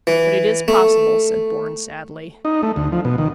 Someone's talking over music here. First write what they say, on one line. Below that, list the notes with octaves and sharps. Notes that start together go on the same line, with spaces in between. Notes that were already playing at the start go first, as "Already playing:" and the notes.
"But it is possible," said Bourne sadly.
E3
A3
D#4
A3
D2
F3
B2
D#3